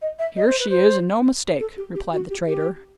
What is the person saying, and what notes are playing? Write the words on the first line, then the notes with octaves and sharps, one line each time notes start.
"Here she is, and no mistake," replied the trader.
D#5
E5
D#5
C5
B4
C5
A4
G4
G4
F#4
G4
G4